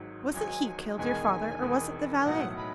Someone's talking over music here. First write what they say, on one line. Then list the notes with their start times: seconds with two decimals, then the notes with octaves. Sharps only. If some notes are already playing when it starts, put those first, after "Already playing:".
Was it he killed your father or was it the valet?
Already playing: G#1 G#2 F#3
0.34 G#1 G#2 F#3 G#5
0.98 E1 E2 D#3 G#3 B3 G#5
1.62 E1 E2 D#3 G#3 B3
2.25 B1 A2 F#3 B3 D#4 F#5
2.57 B5